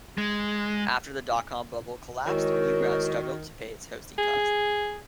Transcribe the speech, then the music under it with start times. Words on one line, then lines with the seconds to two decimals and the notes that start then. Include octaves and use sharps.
After the dot-com bubble collapsed, Newgrounds struggled to pay its hosting costs.
0.18 G#3
2.26 D#3 G#3 E4 F#4 A#4 C#5
4.18 G#4